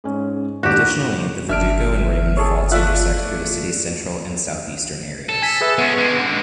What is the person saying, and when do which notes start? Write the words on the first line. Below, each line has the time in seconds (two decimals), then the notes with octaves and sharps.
Additionally, the Verdugo and Raymond faults intersect through the city's central and southeastern areas.
0.04 G#2 C#4
0.63 D#2 D4 F#4 G4 E7
1.49 G1 D4 E5 F6 D7
2.37 G#4 A4 C#5
2.72 A3 F4 D5 E5 F#6
5.29 A4
5.42 G#5 B6
5.61 G#4 B4 E5
5.78 G#3 B3 C#4
5.98 D3 G#3